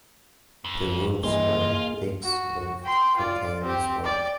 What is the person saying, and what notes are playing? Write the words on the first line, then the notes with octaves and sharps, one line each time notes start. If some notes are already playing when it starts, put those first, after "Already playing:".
The rooms where Dix lived contain his work.
F2
G2 E3 A#3 F4 G#4 D#5
F#4
G5 C6
F4 D5
C4 G4
D5 G5